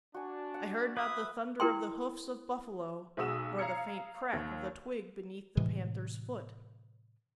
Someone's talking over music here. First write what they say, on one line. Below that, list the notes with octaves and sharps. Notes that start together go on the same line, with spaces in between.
I heard not the thunder of the hoofs of buffalo, nor the faint crack of the twig beneath the panther's foot.
D4 F#4 G#5
F#5
B4 E5 D#6
E4 A#4 G5 C6
B1 G#3 F#4 D#6 E6 E7
F5 A#5 G#6 C#7
D#2
A2 C3 E3 G#3